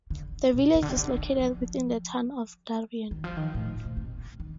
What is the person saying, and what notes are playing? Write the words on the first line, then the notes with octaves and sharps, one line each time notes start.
The village is located within the Town of Darien.
D3
A#2
C3
D3
C3
D3
D3
F3
D#3
F3
D#3
A2
A#2
C3
D#3